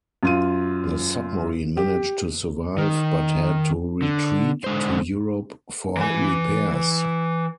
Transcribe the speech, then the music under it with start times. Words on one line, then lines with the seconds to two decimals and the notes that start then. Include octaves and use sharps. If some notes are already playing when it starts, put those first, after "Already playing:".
The submarine managed to survive but had to retreat to Europe for repairs.
0.23 F#2 F4 D#7
1.77 G4
2.78 D#3
4.02 D3
4.64 D3 G#3 C5
5.97 E3 G#5